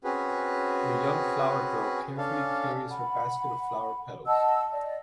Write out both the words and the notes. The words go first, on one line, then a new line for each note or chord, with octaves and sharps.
The young flower girl carefully carries her basket of flower petals.
C4 C#4 F#4 G#4 B4
C#4 D4 A4 F5
F#5 B5
D#5 F#5 A5 E6
D5 D#5